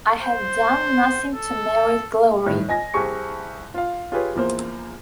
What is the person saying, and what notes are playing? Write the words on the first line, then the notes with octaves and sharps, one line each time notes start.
I have done nothing to merit glory.
C5
A4
A2 D#3
D#5 G#5 A#6
C2 C4 G4 G#4 C#6 C#7
F4 F5
F4 G4 G#4 B4 C#5
E2 F3 A#3 C5